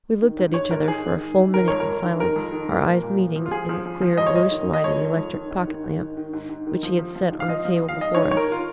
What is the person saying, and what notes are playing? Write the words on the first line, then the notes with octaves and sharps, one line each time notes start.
We looked at each other for a full minute in silence--our eyes meeting in the queer, bluish light of the electric pocket-lamp which he had set on the table before us.
D#3
G#2
G#2 C#5
G#2 A#4
D#3 G#4
D#3
G#2
G#2
D#3 A#4
F2 C#5
A#4
F2
D#3
D#3 A#4
F2
D#3
F2
A#2
A#2
F3
F3
F4
F3 G#4
F3
F3
F3
F2 D#5
C#5
F2 D#5
D#3
D#3
D#5
F2 C#5
D#3
F2
D#3
G#2
D#3
G#2
D#3
D#3
G#2
G#2
D#3
F3
F3
F3
G#2
F5
F3 D#5
F3
F3
F5
G#2 D#5
G#2 C#5
G#2 C#5
A#4
D#3 F4